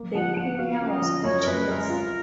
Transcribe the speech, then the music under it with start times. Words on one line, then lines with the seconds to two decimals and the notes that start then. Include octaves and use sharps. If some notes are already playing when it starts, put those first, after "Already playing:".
The Premier was speechless.
Already playing: A#3
0.15 F3 F#5
0.37 F3 F#5
0.58 F#4 F5
0.80 C#4
0.91 D#5
1.02 F3
1.24 F#2 C#5
1.39 A#4
1.46 F#2 B4
1.68 G#3 A#4
1.89 F4